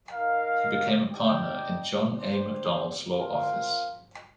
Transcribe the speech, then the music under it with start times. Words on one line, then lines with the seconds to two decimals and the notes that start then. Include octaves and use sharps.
He became a partner in John A. Macdonald's law office.
0.13 D#4 A#4 F5
1.12 D#4 G4 D5 G5
2.11 D4 G4 C5
3.11 C4 F4 A#4 F5